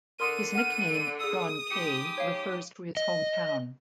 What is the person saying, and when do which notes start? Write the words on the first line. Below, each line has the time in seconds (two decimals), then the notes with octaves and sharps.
His nickname "John Kei" refers to his hometown.
0.20 D3 A#4 C6 D#6 D#7
0.55 F#5 F6
1.21 G#4 D#6 E6
1.70 G#2 G4 C#7
2.18 C#5 F5
2.97 D#5